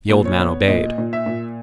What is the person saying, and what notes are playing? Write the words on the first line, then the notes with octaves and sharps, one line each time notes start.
The old man obeyed.
A#2
C#5
B3
A#2 D#5
A#2
E5
A#2